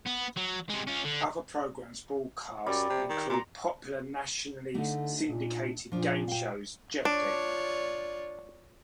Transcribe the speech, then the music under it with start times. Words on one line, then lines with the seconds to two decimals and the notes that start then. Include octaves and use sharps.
Other programs broadcast include popular nationally syndicated game shows Jeopardy!
0.07 B3
0.37 F#3
0.70 C3 G#3
0.87 C#4 F4
1.04 D3
2.66 F#2 G3
2.89 C3
3.09 D#3
3.30 A#2 A#5 C6
4.74 D3 A3 D4 D#4
5.24 A#2
5.92 A#2 F3 D4
6.28 F5 G5
7.05 D4 F4 C#5 D5